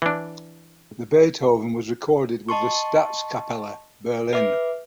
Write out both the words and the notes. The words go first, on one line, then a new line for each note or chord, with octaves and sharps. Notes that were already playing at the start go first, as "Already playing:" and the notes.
The Beethoven was recorded with the Staatskapelle Berlin.
E3 D4
D#5 A5 C6 C#6
B4 E5 D6